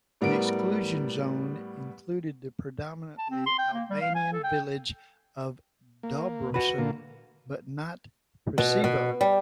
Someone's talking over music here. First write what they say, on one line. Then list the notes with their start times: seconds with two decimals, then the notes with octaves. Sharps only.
The exclusion zone included the predominantly Albanian village of Dobrosin, but not Preševo.
0.21 A2 G3 B3 A#4 D7
3.18 A5
3.30 C4
3.46 C6
3.58 G5
3.73 A#3
3.90 G3
4.01 F5
4.15 G#5
4.32 A4
4.43 G5
6.03 A#3
6.54 F#4 B4
6.78 A#2 D3 A#3
8.58 B2
8.84 B2
9.21 G3